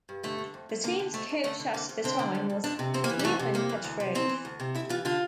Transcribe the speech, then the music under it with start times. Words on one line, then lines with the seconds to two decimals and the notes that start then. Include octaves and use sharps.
The team's coach at that time was Lyuben Petrov.
0.09 G2
0.23 D3 A3
0.38 D3
0.54 F2
0.69 F2
0.84 D3 A#3
0.99 D3
1.14 F2 A3
1.29 F2
1.44 D3 A3
1.59 D3
1.74 F2 A#3
1.89 F2
2.04 D3 C4
2.19 D3
2.35 F2
2.50 F2
2.64 F2 D4
2.79 C3
2.94 F2 C4
3.04 A#3
3.09 E3
3.19 G3
3.24 F2 A3
3.39 C3
3.54 F2 A#3
3.69 E3
3.84 D2
4.00 C3
4.15 D2 C4
4.29 E3
4.45 D2
4.60 C3
4.75 D2 E4
4.89 E3 F4
5.05 D3 F4